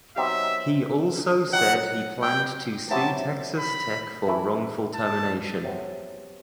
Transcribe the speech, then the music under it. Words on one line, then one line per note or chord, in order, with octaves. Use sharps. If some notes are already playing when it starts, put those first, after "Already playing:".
He also said he planned to sue Texas Tech for wrongful termination.
B2 F#3 C4 D#4 G4 E5
F#3 C4 D#4 G4 F#5
G5
C3 F#3 B3 E4 G4 A5
B5
E3 A3 E4 B4
A5
C3 F#3 B3